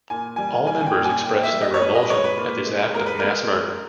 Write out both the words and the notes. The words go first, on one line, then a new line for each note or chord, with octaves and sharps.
All members expressed their revulsion at this act of mass murder.
A#2 G#5
G3 G#5
G3 G#5
G#5
G5
A#2
G#5
A#2 G5
E5
G3
D#5
C#5
G#3 B4
D#5
B4
G#3 C#5
B4
A#2
G#3
G#3 A#4
B4
A#4
G#3
G#3